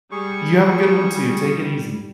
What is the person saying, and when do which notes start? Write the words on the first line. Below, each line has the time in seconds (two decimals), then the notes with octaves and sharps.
You have a good one too, take it easy.
0.12 G3 G#4 C#6